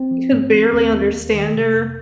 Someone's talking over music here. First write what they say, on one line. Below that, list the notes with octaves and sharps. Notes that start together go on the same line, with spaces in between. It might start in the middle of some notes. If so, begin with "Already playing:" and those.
you could barely understand her,
Already playing: C4
F3
G#2
F3
D#2 C4
D#2
D#2 A#3
D#3
C3
F2